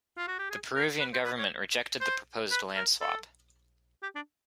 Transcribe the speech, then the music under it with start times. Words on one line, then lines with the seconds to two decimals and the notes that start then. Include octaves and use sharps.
The Peruvian government rejected the proposed land swap.
0.17 F4
0.28 F#4
0.39 G4
0.50 G#4
0.76 A#4
1.00 B4
1.13 C5
1.25 B4
1.39 C#5
2.01 C5
2.51 B4
2.76 A#4
3.01 A4
4.03 G4
4.15 D4